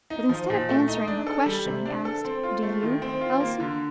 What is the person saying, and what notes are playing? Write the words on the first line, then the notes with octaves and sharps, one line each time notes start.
But instead of answering her question, he asked, "Do you, Elsie?"
D#4
F3
A#2
A3
D#4
D4
A4
G3
C3
D4
A4
C4
F4
A3
D#3
C4
F4
A#3
D3